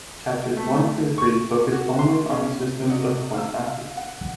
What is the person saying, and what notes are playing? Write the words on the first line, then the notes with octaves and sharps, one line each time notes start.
Chapters one through three focus only on systems of point masses.
A3
C#6
F#4
C6
C#3
C3 F#4 D5 D#5 C#7
F5 E6
F#5